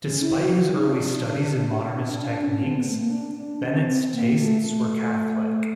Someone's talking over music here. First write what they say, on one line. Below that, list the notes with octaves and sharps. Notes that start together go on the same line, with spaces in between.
Despite his early studies in modernist techniques, Bennett's tastes were Catholic.
C#4
E4
F#4
F4
D#4
D4
D4
D4
C#4
C4
B3
A3
A#3
D4
D4
C#4
C4
C4
A#3
A3
A3